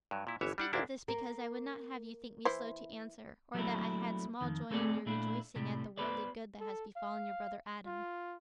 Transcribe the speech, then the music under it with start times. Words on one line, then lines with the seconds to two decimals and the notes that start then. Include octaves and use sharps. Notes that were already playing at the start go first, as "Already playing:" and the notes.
I speak of this, because I would not have you think me slow to answer, or that I had small joy in your rejoicing at the worldly good that has befallen your brother Adam.
0.11 G2 F#3
0.27 A#2 E4
0.41 G1 E3 C#5 E5
0.58 G3 D4 F#5
0.73 G#1 D2 A#2 A#3 D4 E4
1.08 A#3
2.45 E3 E4 C5
3.54 F#3 G3 A3 A#3 C4 E4
4.41 F2 D#3
4.71 A3 C4 G#4 A4 C5 D5
5.06 A#2 A3 D4 E4
5.55 A2 C3 G3
5.98 B3 G4 B4 C5 D5
6.61 A4
6.96 F5
7.86 F4